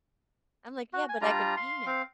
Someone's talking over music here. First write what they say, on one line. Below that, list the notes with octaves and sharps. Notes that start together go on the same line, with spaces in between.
I'm like, "Yeah, but I could paint it.
F#4
G#5
G3 D4 F4 A#5
F5 C6
C4 F5